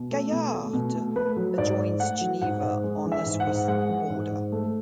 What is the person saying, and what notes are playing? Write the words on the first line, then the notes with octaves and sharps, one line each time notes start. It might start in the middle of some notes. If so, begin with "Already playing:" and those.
Gaillard adjoins Geneva on the Swiss border.
Already playing: B2
A3
B2
A3
B2
A3
A3 B4
F#3
G#2 D5
G#2
A3 F#5
F#3
G#2 F#5
G#2
G#3
E3
E5
G#2
F#5
G#2
G#3 F#5
E3
G#2
G#2
A3